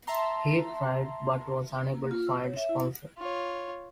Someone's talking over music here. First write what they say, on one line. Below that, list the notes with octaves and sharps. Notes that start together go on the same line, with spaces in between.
He tried but was unable to find a sponsor.
E5 A5 A#5 C6
A#3
F4
E6
C#5
E5
E4
F4 C#5